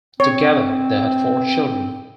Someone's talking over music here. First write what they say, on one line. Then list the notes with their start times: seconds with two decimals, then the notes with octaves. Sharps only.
Together they had four children.
0.20 C4 C#5